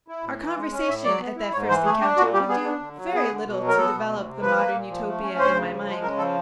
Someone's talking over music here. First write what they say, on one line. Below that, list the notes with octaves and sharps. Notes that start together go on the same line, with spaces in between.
Our conversation at that first encounter would do very little to develop the Modern Utopia in my mind.
E4
A2
E3
G#3
C#4
A2 E5
F#3 D5
B3
E4
G#2 C#5
E3 C5
A3 G#4
D4 G4
A#2 F#4
G3 G4
B3 G#4
D4
D3
F#3
B3 G#4
D3
B2
F#3
A#4
B3 A4
B2
D2
C3
F3 B4
A#3
A#2
F3
A3
C#4
D2 C5
C#3
F3
G#3
C#3 A#4
F3 A4